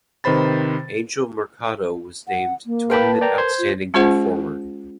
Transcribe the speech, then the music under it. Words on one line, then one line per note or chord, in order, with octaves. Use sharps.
Angel Mercado was named Tournament Outstanding Performer.
C3 D#3 B4 C5 B5 A6
F#5
A#3
A#4 B4 F5 G5 A5 B5
D5 G5 A#5
C5 C6 G#6
F4
G#3 C#4 F4 G#4 C5 F#5